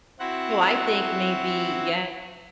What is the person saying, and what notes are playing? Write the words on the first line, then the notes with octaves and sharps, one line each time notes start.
So I think maybe Yeah,
C4 E4 F#4 F#5